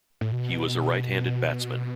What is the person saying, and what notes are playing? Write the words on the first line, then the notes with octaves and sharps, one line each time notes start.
He was a right-handed batsman.
A2
B2